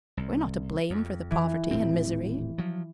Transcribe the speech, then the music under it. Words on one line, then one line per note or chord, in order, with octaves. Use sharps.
We're not to blame for the poverty and misery.
C2
F2
E3
D#1 A2 C4
F3 F#3